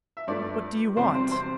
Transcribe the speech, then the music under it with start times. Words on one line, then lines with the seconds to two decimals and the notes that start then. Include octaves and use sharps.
"What do you want?"
0.17 E5
0.28 G2 F3 A3 D4 D5
0.97 E2 C3 G3 C4 C5
1.15 C4 C5
1.31 C4 C5